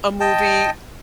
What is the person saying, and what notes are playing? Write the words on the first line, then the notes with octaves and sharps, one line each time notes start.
a movie
D#5 G5 A5